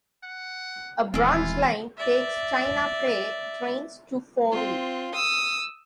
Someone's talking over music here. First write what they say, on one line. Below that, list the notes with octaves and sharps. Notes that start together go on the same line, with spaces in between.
A branch line takes china clay trains to Fowey.
F#5
D#1 E3 G#3 C4 E4 F4 G#4
D5 E5
C4 F4
D#6 E6